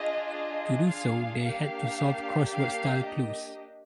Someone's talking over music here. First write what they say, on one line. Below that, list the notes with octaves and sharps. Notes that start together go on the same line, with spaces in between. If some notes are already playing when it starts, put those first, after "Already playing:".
To do so, they had to solve crossword-style clues.
Already playing: D4 F4 G#4 D#5
D#5
F5
A#3 D4 G4 F5
F5
D#5